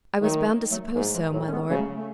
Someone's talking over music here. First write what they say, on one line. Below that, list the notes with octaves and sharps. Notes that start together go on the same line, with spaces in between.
"I was bound to suppose so, my lord."
D#3 F#3 A3
F#3 A3
G#2 F#3 A3
E3 G#3
A2 F#3
C#4
G#3 B3
C#3 F#3 A3
A3